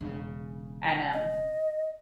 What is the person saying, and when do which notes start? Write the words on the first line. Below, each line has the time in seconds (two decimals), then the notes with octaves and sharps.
and, um
0.01 E1 C#3
1.13 D#5